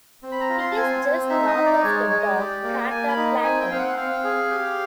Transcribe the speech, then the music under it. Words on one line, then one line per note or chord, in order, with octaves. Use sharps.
It is just north of the dark crater Plato.
C4
B5
A#5
F4
C6
A5
C4 G#5
C4
D#4 E5
D#5
D#4
D5
G#3 C#5
G#3 C#5
D#5
D5
G4
A#3
A#3 G#5
B5
D#4
C4 G#5
G5
C4 F5
F#5
C4 F5
G#4
G4